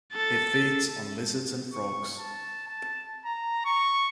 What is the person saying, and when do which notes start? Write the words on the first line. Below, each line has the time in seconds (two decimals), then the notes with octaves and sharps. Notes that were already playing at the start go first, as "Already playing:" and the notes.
It feeds on lizards and frogs.
0.13 A4 A6
1.73 C#6
2.19 A5
2.68 A5
3.25 A#5
3.65 C#6